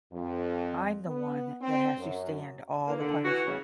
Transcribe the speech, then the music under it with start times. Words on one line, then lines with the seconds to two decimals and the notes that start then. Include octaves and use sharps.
I'm the one that has to stand all the punishment.
0.12 F2
1.07 B3
1.61 C4
1.97 F#2
2.87 E3 A#3
3.00 D3
3.24 E3 F#4
3.46 C#3